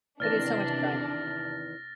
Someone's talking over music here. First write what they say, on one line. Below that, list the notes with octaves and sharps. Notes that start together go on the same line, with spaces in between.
But it's so much fun.
E2 C3 D#3 E3 D4 F6 A6 A#6